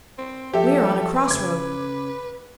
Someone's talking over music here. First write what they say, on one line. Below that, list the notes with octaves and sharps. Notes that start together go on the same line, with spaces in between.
We are on a cross-road.
C4
F3 G4 A4 E5
B4
C#3 D6 G#6